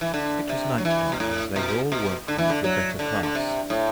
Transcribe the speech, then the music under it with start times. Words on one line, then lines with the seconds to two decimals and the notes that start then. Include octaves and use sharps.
It was night-time, and they were all workmen of the better class.
0.01 E3
0.14 D3
0.49 C3
0.78 F#3
0.85 E3
1.12 B2
1.20 A2
1.56 B2
1.92 B2
2.28 D3
2.38 E3
2.50 D3
2.64 F#3
2.99 D3
3.23 D3
3.35 C3
3.70 A2